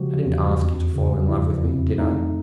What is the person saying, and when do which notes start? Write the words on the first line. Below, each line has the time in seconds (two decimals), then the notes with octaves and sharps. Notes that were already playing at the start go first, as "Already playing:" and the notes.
I didn't ask you to fall in love with me, did I?
Already playing: C#3 F3 G#3 F#4 G4
0.26 E2
0.60 F2
0.94 C#3
1.29 F3 E4
1.64 F2
1.98 A3 D#4